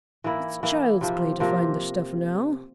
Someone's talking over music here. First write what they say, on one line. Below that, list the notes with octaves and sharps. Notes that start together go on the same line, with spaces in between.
It's child's play to find the stuff now.
E3 A#3 E4
E3 A#3 E4
C3 F3 A#3
C3 F3 A#3